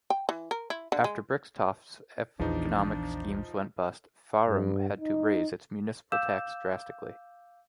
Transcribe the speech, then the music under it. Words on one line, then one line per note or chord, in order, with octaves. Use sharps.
After Brixtofte's economic schemes went bust, Farum had to raise its municipal tax drastically.
G5
E3
A#4
E4
D3
G#3
A#1 E2 F3 D4 D#4
G2
D#4
F5 D6 E6 G6 E7